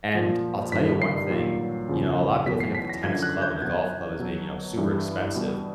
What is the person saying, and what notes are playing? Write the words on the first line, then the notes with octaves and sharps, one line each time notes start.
and I'll tell you one thing, you know, a lotta people think of the tennis club and the golf club as being, you know, super expensive.
A#2 F3
G2 D#3 G3 B6
C7
A#2 F#3
E2 C#3 F3
E2 B2 F#3 B6
C7
B6
A#6
F#2 D3 F3 G#6
F#6
G6
B2 F#3 G#6
B2 F#3
G2 E3 G3
B2 G3